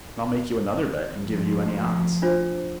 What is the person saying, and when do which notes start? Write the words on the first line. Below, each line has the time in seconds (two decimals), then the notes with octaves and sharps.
"And I'll make you another bet, and give you any odds."
1.15 D2 F3
2.22 D4 F4 C5